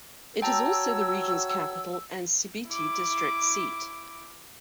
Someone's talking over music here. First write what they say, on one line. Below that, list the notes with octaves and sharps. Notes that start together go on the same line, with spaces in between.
It is also the region's capital and Sibiti District seat.
F#4 C#5 G5 A5 A#5 E6
E4 D6